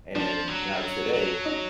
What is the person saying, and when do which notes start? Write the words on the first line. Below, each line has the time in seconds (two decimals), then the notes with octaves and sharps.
And now today,
0.15 F3 D4
0.48 F#3
0.75 G3
0.81 F#3
1.14 F#3
1.45 D#4